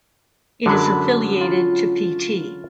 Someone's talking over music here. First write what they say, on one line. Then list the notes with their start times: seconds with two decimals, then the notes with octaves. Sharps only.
It is affiliated to Pt.
0.66 F#2 D3 F#3 G#3 B5
1.41 F4